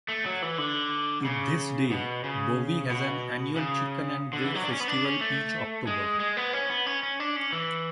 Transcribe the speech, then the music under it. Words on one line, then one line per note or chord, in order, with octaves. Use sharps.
To this day Bowie has an annual Chicken and Bread Festival each October.
A3
F#3
E3
D3
C#3
B2
C#3
B2
C#3
D3
E3
F#3
D4
C#4
B3
D4
C#4
A3
G#3
G#3
B3
C#4
B3
C#4
C#4
D4
C#4
E3